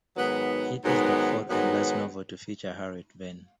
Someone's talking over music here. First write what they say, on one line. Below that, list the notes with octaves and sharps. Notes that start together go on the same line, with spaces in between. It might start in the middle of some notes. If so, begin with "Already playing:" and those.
It is the fourth and last novel to feature Harriet Vane.
G#2 D#3 F#3 B3
G#2 D#3 F#3 B3
G#2 D#3 F#3 B3